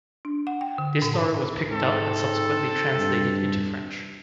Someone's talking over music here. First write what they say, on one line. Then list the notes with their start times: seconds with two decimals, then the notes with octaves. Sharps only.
This story was picked up and subsequently translated into French.
0.25 D4
0.47 F#5
0.61 G5
0.78 D3
1.02 A#2
1.14 G#2
1.70 G#2 C4 A4
2.96 G2